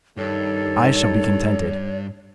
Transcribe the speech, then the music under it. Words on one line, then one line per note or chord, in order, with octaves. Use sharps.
I shall be contented.
G2 D#3 G3 D#4 A4 C#5